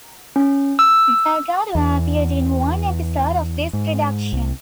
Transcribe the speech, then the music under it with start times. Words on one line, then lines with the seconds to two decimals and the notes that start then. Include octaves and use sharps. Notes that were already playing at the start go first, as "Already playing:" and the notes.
Delgado appeared in one episode of this production.
0.36 C#4
0.79 E6
1.75 E2
3.73 G#2
4.33 C2